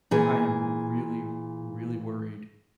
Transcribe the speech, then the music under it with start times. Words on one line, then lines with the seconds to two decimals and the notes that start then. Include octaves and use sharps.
I am really, really worried
0.11 A#2 E3 G#4